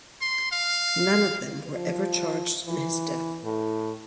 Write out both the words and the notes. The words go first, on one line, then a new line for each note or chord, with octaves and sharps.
None of them were ever charged in his death.
C6
F5
F3
E3
A2